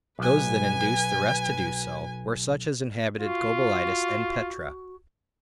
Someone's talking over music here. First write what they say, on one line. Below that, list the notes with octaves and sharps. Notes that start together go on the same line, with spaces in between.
Those that induced the rest to do so, were such as inhabited Gobolitis and Petra.
B1 B4 G#5
F4 F#4